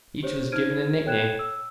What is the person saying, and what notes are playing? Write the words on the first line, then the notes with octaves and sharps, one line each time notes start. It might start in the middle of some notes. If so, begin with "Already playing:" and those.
Each was given a nickname.
G4 C5 C#5
D#4 C5 F6 G#6 D7 D#7
A4 C#5 G5 F#6 G#6 E7
E6